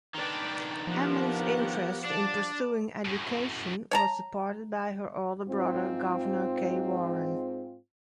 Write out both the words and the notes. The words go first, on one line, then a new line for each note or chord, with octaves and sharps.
Emily's interest in pursuing education was supported by her older brother Gouverneur K. Warren.
D#3 D4 B4 D5 G5
F3 B3 G4 A#4 F#5
D4 D5 A5
F#2 A2
C#5 A5 A#5
G#2 C4 F4